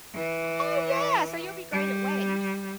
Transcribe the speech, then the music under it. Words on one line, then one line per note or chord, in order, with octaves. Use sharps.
Oh yeah, so you'll be great at weddings.
E3
G3